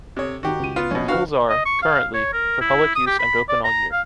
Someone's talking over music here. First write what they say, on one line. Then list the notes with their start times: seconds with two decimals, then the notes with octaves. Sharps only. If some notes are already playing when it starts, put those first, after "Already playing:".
The pools are, currently, for public use and open all year.
0.17 C3 G4 A4 C#5 D#6
0.43 D#3 D#4 F#4 G4
0.60 C#2 D#7
0.76 B3 F4
0.91 A#1 B2 C#4
1.08 D3 F#4 B4 F5 F6
1.50 D#5
1.65 C#6
1.82 F5
2.14 C#5
2.33 A#4
2.61 E4
2.95 D#6
3.07 G4
3.19 B5
3.49 D5
3.64 A#5
3.92 F5